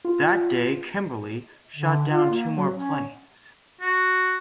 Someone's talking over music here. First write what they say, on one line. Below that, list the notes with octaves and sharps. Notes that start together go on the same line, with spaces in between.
That day "Kimberly" shot down two more planes.
F4
D3
F4
A#3
F#3
C#4
F#4